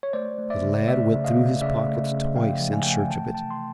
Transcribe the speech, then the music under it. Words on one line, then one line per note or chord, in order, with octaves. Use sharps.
The lad went through his pockets twice in search of it.
C#5
A3 C5 D5
A3
D5 E5
C#3
A3 D5 E5
C#3
D#5 F5
C#3
C#3 D5 E5
A3
C#3
F3 F5 G5
F3
G#5
A3 G5
F#5 G#5
E3 G5 A5
C3 G5 A5
C6